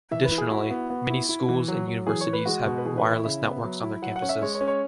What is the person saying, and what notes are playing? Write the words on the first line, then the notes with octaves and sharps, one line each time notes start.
Additionally, many schools and universities have wireless networks on their campuses.
E3 E5
B4
E4
G#4
E4 F#4
B3
B3
E4
E4
E3
F#3
F#3
E3 G#4
C#5
E3
B4
G#3 F#4
B2
B4
E3 G#4
B4
E4
E5
C#3 E5
B3
F#3
E4
F#3 F#5
F#5
C#4
E5
G#3 C#5
C#5
C#4
C#5